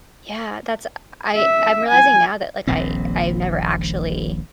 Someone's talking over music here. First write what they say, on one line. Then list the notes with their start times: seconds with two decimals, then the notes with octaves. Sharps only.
Yeah, that's I I'm realizing now that, like, I I've never actually
1.36 E5
1.89 G#5
2.67 D#1 A#1 A#2 C4